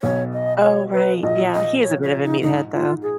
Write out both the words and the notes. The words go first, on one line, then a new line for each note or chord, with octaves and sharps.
Oh, right yeah, he is a bit of a meathead, though.
B1 B2 C#5
D#5
C#5
B4
A#1 A#2 D#5
D#5
C#5
C#5
D#4
G#2 D#4
F4
G#4